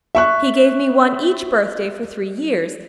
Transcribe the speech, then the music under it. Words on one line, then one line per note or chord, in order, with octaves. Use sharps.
He gave me one each birthday for three years.
E5 C#6 F#6